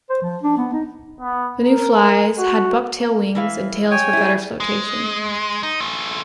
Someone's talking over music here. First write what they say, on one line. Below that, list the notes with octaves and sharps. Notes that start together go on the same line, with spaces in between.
The new flies had bucktail wings and tails for better floatation.
C5
F3
D4
B3
D#4
B3
A#4
F#4
A#3
E3 E4 F5
C#5 G5 G#5
E4 G#4
G#3
D#4
A3 F4